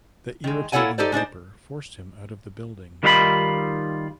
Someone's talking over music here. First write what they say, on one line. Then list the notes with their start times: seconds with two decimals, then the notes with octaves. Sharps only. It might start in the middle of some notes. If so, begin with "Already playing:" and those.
The irritating vapor forced him out of the building.
0.44 D#3 G#3
0.72 A#3 E4 A4 C#5 F#5 G#5
0.98 D#4 G4 A4 C5 D5
1.12 G#3 D4 D#4 C5
3.03 D#3 G3 D#4 F4 F5 B5